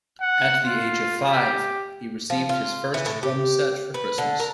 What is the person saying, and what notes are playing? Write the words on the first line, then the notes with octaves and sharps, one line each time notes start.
At the age of five he received his first drum set for Christmas.
F#5
F4
G4
F3
F4
E3
A2
G4
B4
D3
A#4